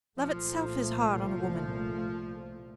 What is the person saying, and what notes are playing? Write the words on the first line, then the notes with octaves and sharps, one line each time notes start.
Love itself is hard on a woman.
C2 A#2 F3 A3